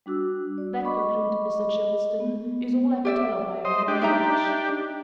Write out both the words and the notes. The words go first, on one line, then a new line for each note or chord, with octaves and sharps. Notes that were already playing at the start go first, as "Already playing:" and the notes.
That," concluded Mr. Chilstone, "is all I can tell of my own knowledge.
G3 D4 F#4 E6
D5
D#5 B5 C#6 D6
D#5
B3
G4 D5 E5
C5 D#5
D4 G4
D#4 E5 A#5